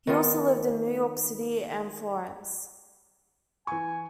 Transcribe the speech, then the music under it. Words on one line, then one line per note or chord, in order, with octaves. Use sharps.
He also lived in New York City and Florence.
D#3 F3 B3 F4
E3 G#5 C#6